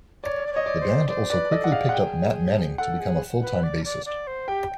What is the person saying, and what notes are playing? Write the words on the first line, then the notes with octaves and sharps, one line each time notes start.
The band also quickly picked up Matt Manning to become a full-time bassist.
C#5 D5
D5
C#5 D#5
D5
C5
C5 D5
B4 D5
A4 D#5
F#5
G#4 F5
F#5
G5
A4 F#5
G#4
B4
D5
D5
D5
C5
G4 G5